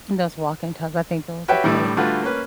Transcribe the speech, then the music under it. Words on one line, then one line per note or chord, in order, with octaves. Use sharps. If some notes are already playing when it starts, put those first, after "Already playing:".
and those walk-in tubs, I think those are great,
F#4 G4 B4 C#5 E5 G5
A2 D3 E3 G3
D3 G3 A3 F4 F#4 B4
A#3 C#4 B4